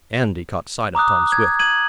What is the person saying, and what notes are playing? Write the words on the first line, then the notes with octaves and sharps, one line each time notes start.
Andy caught sight of Tom Swift.
A#5 D6 D#6 F#6
G#6
G#6 D#7 F#7